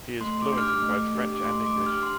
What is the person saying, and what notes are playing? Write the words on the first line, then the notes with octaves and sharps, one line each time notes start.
He is fluent in both French and English.
A3 C6
D6
D4 G4
F6
D6
A3
D4 G4
D6
A3 C6
D6
D4 G4
F6
C6